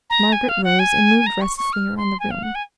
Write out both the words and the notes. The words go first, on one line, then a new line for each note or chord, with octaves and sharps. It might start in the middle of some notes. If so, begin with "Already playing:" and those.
Margaret rose, and moved restlessly around the room.
A#5
G#5
F5
F#5
G#5
A#5
C#6
C#6
F6
C6
G#5
F5
F#5
G#5